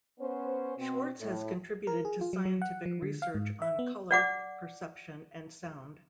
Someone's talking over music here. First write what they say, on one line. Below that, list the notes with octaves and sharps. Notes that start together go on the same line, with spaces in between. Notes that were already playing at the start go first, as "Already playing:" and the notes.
Schwartz has contributed to scientific research on color perception and sound.
B3 C#4 C5
B2 C4
A2
A#4
G#4
F4
F#3
F#3
F#5
F3
D3
F5
G#2
E5
B3
D5 F#5 D6